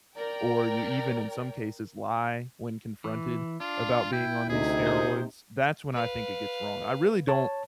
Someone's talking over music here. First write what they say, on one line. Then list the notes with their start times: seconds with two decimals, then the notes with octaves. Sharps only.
or you even, in some cases, lie when confronted about being on these steroids, that's when I think it gets wrong, I really don't
0.17 A#4 D5 G5
3.04 E3
3.60 D4 F4
4.13 E4 G5
4.50 D2 C3 D#4 G#4
4.87 C5 D#6
5.92 B4 F5
7.28 C#5 A5